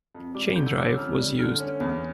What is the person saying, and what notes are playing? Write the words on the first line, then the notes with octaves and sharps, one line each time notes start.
Chain drive was used.
F2
G3 D6
D3 G6
E6
C#4 D6
E6
F2 F6
G3
D3 F6
C#4
E2